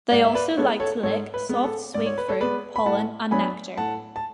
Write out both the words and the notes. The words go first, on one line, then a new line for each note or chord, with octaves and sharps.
They also like to lick soft, sweet fruit, pollen and nectar.
G#2 D5 F#5
E5
B4 D5
G#3 B3 A4 C#5
A4 C#5
G#2 A4 C#5
B4
G#3 B3
A4
G#2 D5
C#5
B4
A4 C#5
G#3 B3 B4 D5
B5
A2 F#5 A5
F#3 B3 D4 G#5 B5
A2 F#5 A5
A5